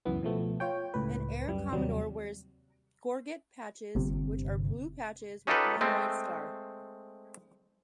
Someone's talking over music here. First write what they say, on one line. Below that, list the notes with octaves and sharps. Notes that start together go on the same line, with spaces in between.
An air commodore wears gorget patches which are blue patches with one white star.
C#2 F#2 E3 B3
B2 F3 A3 B3
F4 C#5 G5
C#2 A2 B4
F#2 G3
D#2 C3 F#3 G3
G1 C3
C#4 D#4 F4 G4 A4 B4
G#3 A3 C4